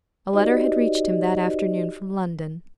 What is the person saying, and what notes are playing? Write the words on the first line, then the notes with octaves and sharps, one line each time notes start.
A letter had reached him that afternoon from London.
D#4 F#4 G4 C5 D5 D#5